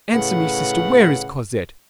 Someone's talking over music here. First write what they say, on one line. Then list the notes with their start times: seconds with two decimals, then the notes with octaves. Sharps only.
Answer me, sister; where is Cosette?
0.14 A2 C#3 B4 F#5